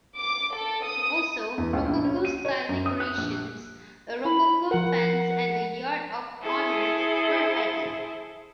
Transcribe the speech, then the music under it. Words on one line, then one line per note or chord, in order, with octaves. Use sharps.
Also, Rococo style decorations, a Rococo fence and a yard of honour were added.
D6
A4
D#6
E2
C#2
A#1
C#4
D#7
C#5
F#2
D#6
F#6
A#1
E4 B5
F3 A#4 F#5
E4 G#4 A4 C5